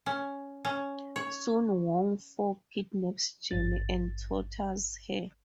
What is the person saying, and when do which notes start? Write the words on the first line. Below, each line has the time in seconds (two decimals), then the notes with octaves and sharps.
Soon Wong Foo kidnaps Jenny and tortures her.
0.06 C#4
0.65 C#4
1.16 C#5
3.51 G#1 G2 A6